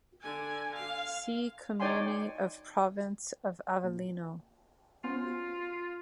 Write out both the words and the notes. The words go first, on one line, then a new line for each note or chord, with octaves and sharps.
See Comuni of the Province of Avellino.
D3 G#5
F5
D#4 C#5 D5 G5 G#5 C6
A#2
B3 C#4 F4 C5